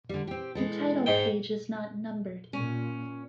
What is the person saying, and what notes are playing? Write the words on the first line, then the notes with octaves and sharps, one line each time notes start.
The title page is not numbered.
D3 G3
C4 G4
E3 G#3 A4
G#2 D#4 G5
A#2 C#4